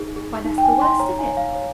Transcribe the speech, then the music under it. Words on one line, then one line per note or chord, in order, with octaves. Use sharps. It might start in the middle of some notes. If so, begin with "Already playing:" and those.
'Why, that's the worst of it.
Already playing: D#4 G#4
G#4
D#4
G5
G#5
D#4
C6
C#5 A#5
G#5
C#5
F5
C#5